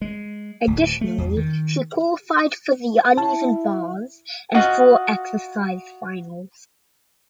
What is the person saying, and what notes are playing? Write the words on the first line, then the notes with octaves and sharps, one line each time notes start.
Additionally she qualified for the uneven bars and floor exercise finals.
G#3
D1
A3
E2
D#3
E4 A5
F4 F#4 D#5